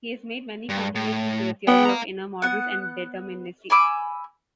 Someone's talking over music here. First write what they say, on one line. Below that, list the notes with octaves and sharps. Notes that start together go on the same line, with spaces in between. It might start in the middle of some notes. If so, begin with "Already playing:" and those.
He has made many contributions to the theory of inner models and determinacy.
G2
A2
B3 F#5 G5
F5 A#5
B3 F#5
G#5 B5 D6 E6